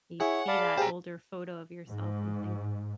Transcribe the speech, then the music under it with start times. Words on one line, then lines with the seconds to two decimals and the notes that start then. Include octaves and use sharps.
you see that older photo of yourself and think
0.20 E4 G#4 C#5 F#5
0.48 D5 F5 A5 B5
0.78 G4 G#4 C5 A#5
1.88 G#2